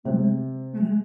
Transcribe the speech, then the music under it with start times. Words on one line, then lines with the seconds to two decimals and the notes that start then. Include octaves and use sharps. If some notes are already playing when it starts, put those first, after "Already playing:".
Mhm, mhm.
0.05 C3